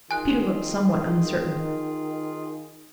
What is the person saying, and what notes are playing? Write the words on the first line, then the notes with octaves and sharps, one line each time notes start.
Peter looked somewhat uncertain.
D#3 F4 G#4 G#5 F#6